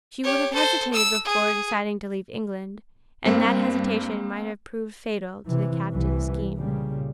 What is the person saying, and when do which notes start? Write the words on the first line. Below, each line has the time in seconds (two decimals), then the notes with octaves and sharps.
She would have hesitated before deciding to leave England, and that hesitation might have proved fatal to the captain's scheme.
0.24 G4 C#5
0.53 A4 C5
0.93 E6
1.25 G#4
3.26 G2 A#3 C4
5.46 C3 E3
5.92 C2 E3
6.55 A#2 C#3 G3